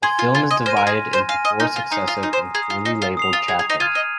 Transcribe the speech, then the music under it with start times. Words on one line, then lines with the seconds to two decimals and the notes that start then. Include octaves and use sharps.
The film is divided into four successive and clearly labeled chapters.
0.02 G#4 G#5 C6 G#6
0.19 F4
0.35 F4
0.51 D#5
0.66 C5 F6 A#6 D#7
0.77 A#4
0.87 G#4
1.13 C5
1.29 F5 G#5 F6 A#6 D#7
1.45 D#5
1.60 D#4
1.76 F4
1.91 D#4 A#5 D#6 C7
2.08 F4
2.23 D#4
2.33 C5
2.54 G#4 A#5 D#6 C7
2.70 F4
2.85 D#4
3.02 F4
3.17 D#6 C7 F7
3.33 F4
3.48 G#4
3.59 G#4
3.70 D#4
3.80 F4 F6 G#6 D#7
3.95 D#5